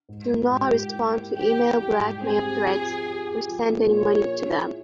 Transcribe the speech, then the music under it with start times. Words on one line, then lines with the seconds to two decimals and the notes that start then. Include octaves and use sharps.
Do not respond to email blackmail threats or send any money to them.
0.09 G#2
0.30 F3
0.51 G#2 G4
0.72 G#2
0.94 E4
1.15 A#3
1.36 E3 G4
1.57 E4
1.78 G3 G4
1.99 G#2
2.21 C4 G#4
2.42 G4
2.63 F3
2.84 F3
3.06 G4
3.27 G4
3.48 F3
3.70 A#2
3.90 A#2 C#5
4.12 F3
4.33 G#4
4.54 E4